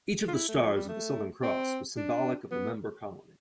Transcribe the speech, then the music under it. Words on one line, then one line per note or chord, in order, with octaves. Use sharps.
Each of the stars of the Southern Cross was symbolic of a member colony.
F4
E4
A3
F3
G3
A3
C4
D4
B3